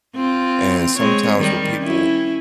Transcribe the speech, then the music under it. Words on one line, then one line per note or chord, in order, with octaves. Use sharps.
And sometimes with people,
C4 F4
G#3 C4 C#5
D#3 G3
C#4 E4